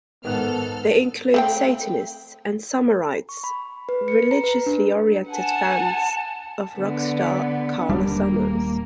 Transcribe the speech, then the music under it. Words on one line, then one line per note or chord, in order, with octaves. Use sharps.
They include Satanists and "Sommerites", religiously oriented fans of rock star Karla Sommers.
G#2 D#3 B3 A4 F6 F#6
A3 C4 G5
C#6
B5
B4
C#7
A#5
B4
D4
F#5 G#5 A5
D3 B3
D#1 G3 A#3 D4